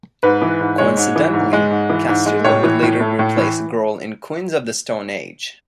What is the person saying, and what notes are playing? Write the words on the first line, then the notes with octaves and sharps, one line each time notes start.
Coincidentally, Castillo would later replace Grohl in Queens of the Stone Age.
G#2 B4
E3
G#2
G#3 C#5
G#2
E3
G#2
G#3
G#2
E3
G#2
G#3
A2 C#5
E3
A2
A3
A2
E3